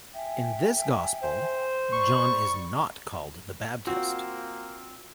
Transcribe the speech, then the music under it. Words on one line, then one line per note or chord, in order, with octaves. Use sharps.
In this gospel, John is not called the Baptist.
E5 G5 G#5
C5
D5 B5 C#6
A#3 C4 F4 F#4